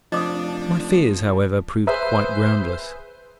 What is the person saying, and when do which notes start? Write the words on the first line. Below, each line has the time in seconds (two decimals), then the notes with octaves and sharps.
My fears, however, proved quite groundless.
0.12 F1 F3 D4 D#5 D6 D#6
1.87 G#4 B4 C5 E5